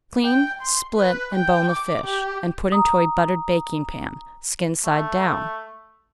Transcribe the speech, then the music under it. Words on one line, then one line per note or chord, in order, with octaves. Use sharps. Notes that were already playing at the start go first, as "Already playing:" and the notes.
Clean, split, and bone the fish, and put into a buttered baking-pan, skin-side down.
G5
C6
B4
G5
D6
G4
A#5 D#6
A3